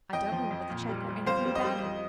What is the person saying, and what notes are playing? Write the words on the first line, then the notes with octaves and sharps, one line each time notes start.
I don't remember the cheque or anything about it.
F2 D#5 G5
F3
F2
A#2
G3
G3
F2 C5 F5
G3
D#5
G3
F2